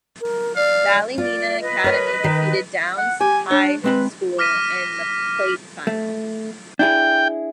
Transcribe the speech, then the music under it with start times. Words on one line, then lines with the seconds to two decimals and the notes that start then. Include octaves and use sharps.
Ballymena Academy defeated Down High School in the Plate final.
0.21 A#4
0.56 D5 F5
1.18 F4 D5
1.61 B4 D#5
1.84 A#4 C#5
2.24 D#3
2.98 F#5
3.21 G4 G#5
3.51 D4 C#5
3.84 G#3 C4 B4 B5
4.39 D6 F6 A#6 B6 D#7
5.87 A3
6.79 D4 E4 G#4 G5